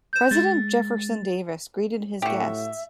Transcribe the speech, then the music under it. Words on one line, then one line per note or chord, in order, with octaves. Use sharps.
President Jefferson Davis greeted his guests.
G6 E7
G#3 A6
A2 F#4 G4 E5